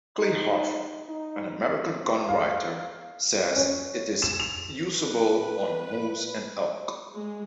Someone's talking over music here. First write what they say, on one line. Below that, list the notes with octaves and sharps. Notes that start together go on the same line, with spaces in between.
Clay Harvey, an American gun writer, says it is usable on moose and elk.
D#4
D#4
F5
C#4
E7
F7
B4
G#3